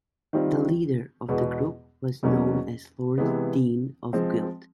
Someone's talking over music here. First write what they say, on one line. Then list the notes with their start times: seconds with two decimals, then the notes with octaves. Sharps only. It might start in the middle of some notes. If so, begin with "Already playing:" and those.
The leader of the group was known as Lord Dean of Guild.
0.33 D#3 G3 C4 F4
1.28 E2 B2 G#3 B3
2.23 E2 B2 F#3 A#3 C#4
3.18 C3 E3 G#3 B3
4.13 F3 G#3 C4